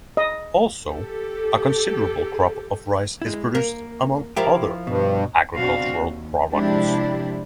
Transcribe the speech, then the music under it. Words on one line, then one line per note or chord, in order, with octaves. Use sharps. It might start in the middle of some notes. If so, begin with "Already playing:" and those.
Also a considerable crop of rice is produced among other agricultural products.
D#5
G4 A4
G#3 E4
A#3 A#4
F3 E4 G4 A#4
G2 B2
B2 C4 D4 F#4 F5
D#2
C3 F3 G#3 D4 E4 G4